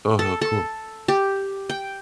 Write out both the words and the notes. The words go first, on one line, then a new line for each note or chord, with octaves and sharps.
Oh, how cool.
A4
A4
G4
G5